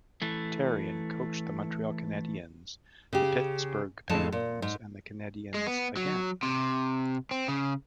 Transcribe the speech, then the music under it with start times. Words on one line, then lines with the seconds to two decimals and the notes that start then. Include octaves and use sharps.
Therrien coached the Montreal Canadiens, the Pittsburgh Penguins and the Canadiens again.
0.22 E3 A3
3.13 C#3 G4
4.09 F2 A2 G#3 A5
4.32 A#2
4.62 G#2
5.54 G#3
5.67 B3
5.97 F#3
6.43 C3
7.31 C4
7.48 C#3